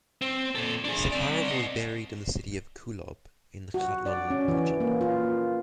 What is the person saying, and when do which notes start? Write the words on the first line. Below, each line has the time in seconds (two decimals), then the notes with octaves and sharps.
Safarov was buried in the city of Kulob in the Khatlon Region.
0.21 C4
0.55 A#2 A4
0.84 D4 G#4
1.12 C4 D5
1.48 D#5 F#5
3.74 F#4
4.06 D5
4.30 C#4
4.48 E3
4.80 A#3
5.01 F4